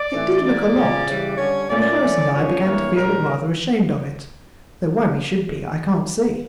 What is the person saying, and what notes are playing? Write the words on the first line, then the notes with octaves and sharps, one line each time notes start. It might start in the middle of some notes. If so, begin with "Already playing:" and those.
It did look a lot, and Harris and I began to feel rather ashamed of it, though why we should be, I can't see.
Already playing: D5
A2 E3 A3
E3 G3 A#3 D5
C#3 F3 C#4
C#3 E3 G3
D3 G3 C#4 C#5
A#2 A3 C#4 D5
E3 A3 C#4
G2 F3 C#4 C#5
G2 E3 A#3
A#2 G3 D4 A#4